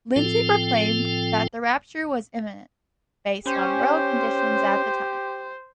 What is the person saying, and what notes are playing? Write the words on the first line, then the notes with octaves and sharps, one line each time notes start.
Lindsey proclaimed that the rapture was imminent, based on world conditions at the time.
A2 F3 C4 F4 A4 G5
C#4 G4 C5